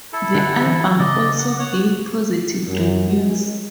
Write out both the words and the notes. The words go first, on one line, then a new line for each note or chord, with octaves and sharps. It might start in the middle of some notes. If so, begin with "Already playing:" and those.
The album also gained positive reviews.
E4 A4
D3 G4 F#5
E3
C#3 D5 D#5
F#5
C#5 F#5
F#2
G#3